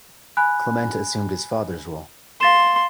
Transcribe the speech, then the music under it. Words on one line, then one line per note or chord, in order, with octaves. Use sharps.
Clement assumed his father's role.
G#5 B5 F#6
F5 C6 A6 E7